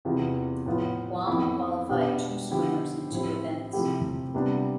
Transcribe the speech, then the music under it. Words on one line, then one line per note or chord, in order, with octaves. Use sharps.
Guam qualified two swimmers in two events.
E2 C3 E3 B3 F4
A2 F3 B3 F4
F2 E3 B3 E4
B2 B3 D4 G4
D3 F3 B3 E4 G4
A2 F3 C4 E4 G4
C3 F3 A3 E4 G4
C3 G3 B3 D4